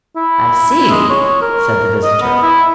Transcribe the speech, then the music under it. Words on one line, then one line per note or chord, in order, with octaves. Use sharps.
"I see," said the visitor.
E4
E4
G#3
C#5
A#4
D#5
B3
E4